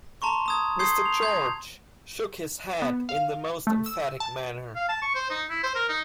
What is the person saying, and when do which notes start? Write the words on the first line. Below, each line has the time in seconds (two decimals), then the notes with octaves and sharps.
Mr. George shook his head in the most emphatic manner.
0.22 A5 A#5 C6 C#6
0.46 A#5 D#6 G#6
0.79 C6 D#6 G6 G#6 C7
1.05 F7
1.23 G6 G#6
2.82 B3
3.09 F5
3.67 A3
3.86 E6
4.20 A5
4.76 F5
4.89 A5
5.02 C#6
5.15 C5
5.30 D#4
5.50 E4
5.63 C5
5.75 A#4
5.89 D#4